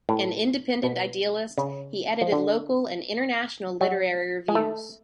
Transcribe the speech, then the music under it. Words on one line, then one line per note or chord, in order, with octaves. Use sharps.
An independent idealist, he edited local and international literary reviews.
A2
B2
C#3
F3
D3
F#3
G#3
A3